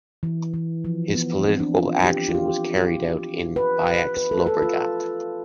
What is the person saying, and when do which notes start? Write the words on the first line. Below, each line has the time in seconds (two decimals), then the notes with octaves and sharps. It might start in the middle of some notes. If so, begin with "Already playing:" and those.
His political action was carried out in Baix Llobregat.
0.23 E3
0.54 E3
0.85 F3
1.14 B3
1.45 C4
1.60 D4
1.75 F4
2.04 G4
2.29 F4
2.35 G4
3.56 B4
4.17 B4
4.31 A4
4.46 A4
4.62 F4